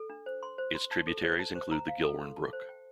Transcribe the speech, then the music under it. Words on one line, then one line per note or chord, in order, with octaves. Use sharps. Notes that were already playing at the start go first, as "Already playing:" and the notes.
Its tributaries include the Gilwern Brook.
Already playing: A4
D4
C5
C6
C5
C6
A5
A4
C5
A5
C5
A#5
F5
A4
C6
A5
C5
G5